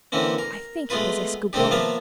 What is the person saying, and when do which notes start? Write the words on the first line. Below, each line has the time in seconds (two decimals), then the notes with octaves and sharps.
I think it was Escoublon.
0.12 D3 E3 A#3 C4 C#4
0.38 A#4
0.90 G#3 A3 B3 F4 B4
1.53 C3 D#3 G#3 C4 D4 G4
1.71 F3 A#3 B3 E5 F5 A5